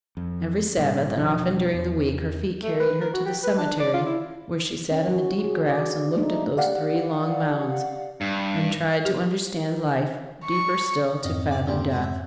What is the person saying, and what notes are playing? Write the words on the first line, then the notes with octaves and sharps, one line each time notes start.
Every Sabbath, and often during the week, her feet carried her to the cemetery, where she sat in the deep grass and looked at those three long mounds and tried to understand life; deeper still, to fathom death.
F2
G#1 A#2 G3
E1 B2 F3 D4
E2
A3
B4
A#4
F#4
G4
B4
D4
D5
F4
E4
C#4
F#4
G#4
D5
F#3 A3 A#3 D4 D#4
G4 D5 F5 F#5
G2
G4
C#6
F2 G#2 C4 D#5 F5
D5
A#2 F3 G3
G#3 B3
E5